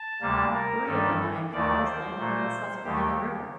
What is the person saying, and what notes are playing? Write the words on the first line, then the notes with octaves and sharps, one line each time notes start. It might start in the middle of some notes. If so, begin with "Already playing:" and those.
Three of the nine cars landed in the Susquehanna River.
Already playing: A5
D2 C3 G3 A#3
A#4
G2 D#3 G3 A4
D#2 D#3 A3 D5
C5
A#2 A3
D#2 D#3 A3 G4